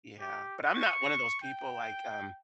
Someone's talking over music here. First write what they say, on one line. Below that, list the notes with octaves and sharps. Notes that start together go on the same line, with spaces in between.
Yeah, but I'm not one of those people like, um,
G4
C#6
G5